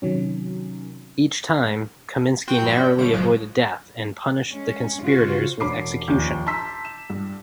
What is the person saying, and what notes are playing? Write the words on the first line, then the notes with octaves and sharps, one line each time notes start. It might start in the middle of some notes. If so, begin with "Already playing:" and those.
Each time, Kaminski narrowly avoided death and punished the conspirators with execution.
C3 D#3 F#3 C#4
C4 F#4 G5
G2 F3 B4
C#4 D5
D3 G3 E4 C#5 D7
G1 F3 F#3 G#3
G#3 C#4
C#3 F4 F#4 C5
E1 C#5 B5 D6 C7
A#1 D#2 C#4 G6
A5 A#5 C6 E6 B6
E7
G2